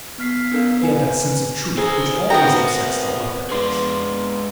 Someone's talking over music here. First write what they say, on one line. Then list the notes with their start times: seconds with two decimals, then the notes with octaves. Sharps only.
He had that sense of truth which always upsets the orthodox.
0.18 B3 F6 B6 C7
0.51 B3 C#4 D4 A4 A#4 F5
0.82 B4 G#5
1.77 G#4 A4 B4 C5 G#5 A#5 D#6
2.30 B3 C4 F#4 A#4 C#5 G5 A#5
3.51 G#3 D4 G#4 B4 C6 D6